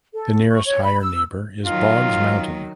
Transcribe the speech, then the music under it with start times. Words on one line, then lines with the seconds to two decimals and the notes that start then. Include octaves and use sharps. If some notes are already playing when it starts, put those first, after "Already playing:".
The nearest higher neighbor is Boggs Mountain.
0.14 A4
0.51 C#6
0.65 C#5
0.83 B5
1.01 E6
1.66 D#3 F#3 F4